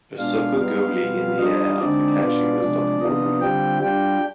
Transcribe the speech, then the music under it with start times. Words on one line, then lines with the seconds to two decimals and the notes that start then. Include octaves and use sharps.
A soccer goalie in the air after catching the soccer ball.
0.18 B2 G#3 D4 F4 F5
0.58 G3 B3 D#4 F4 F5
0.99 B2 G3 B3 F4
1.39 G3 D4 D#4 F4 D#5
1.79 D3 G#3 C4 D4 D#4 D5
2.19 B2 B3 D4 F4 D5
2.60 C3 F3 G#3 D4
3.00 C3 F3 B3 D4 D#4 F4 D#5
3.41 D3 G3 C4 F4 G4 G5
3.81 G3 D4 F4 G4 G5